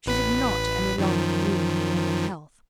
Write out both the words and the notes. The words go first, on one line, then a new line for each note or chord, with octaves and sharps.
She did not any longer bloom with normal health.
A1 B4 B6
F#2 D#3 F3